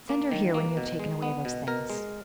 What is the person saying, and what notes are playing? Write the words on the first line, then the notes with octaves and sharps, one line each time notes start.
"Send her here when you have taken away those things."
A#3
D#3
A#3
B2
G#3
B3
B2
B2 A#4
G#3